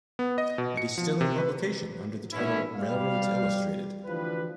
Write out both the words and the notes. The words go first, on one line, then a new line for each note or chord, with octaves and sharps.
It is still in publication under the title "Railroads Illustrated".
B3
D#5
B2
C#7
F3
C3
B4
G#2 B2 E3 B3 C#4 E4
G3 F5
D2 E3 F3 G3 B4